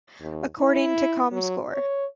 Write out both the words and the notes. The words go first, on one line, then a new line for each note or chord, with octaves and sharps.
According to comScore.
D#2
E4
F#3
C#5